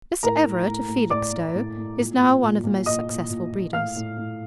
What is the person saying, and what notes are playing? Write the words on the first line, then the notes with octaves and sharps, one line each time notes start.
Mr. Everett, of Felixstowe, is now one of the most successful breeders.
A2 A#4 A#5
A2
A2
A2
A2 D5 D6
A2
A2
A2
A#2
A#2
A#2
A#2
A#2 D#5 D#6
A#2
A#2
A#2
A2 F5 F6
A2
A2